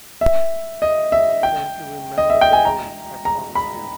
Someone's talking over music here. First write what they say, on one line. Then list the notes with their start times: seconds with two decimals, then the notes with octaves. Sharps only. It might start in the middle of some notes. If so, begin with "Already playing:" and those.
Don't you remember the home I promised you?
0.21 E5
0.82 D#5
1.12 E5
1.43 G5
2.18 D#5
2.30 E5
2.41 G5
2.53 G#5
2.65 A#5
3.25 A#5
3.55 B5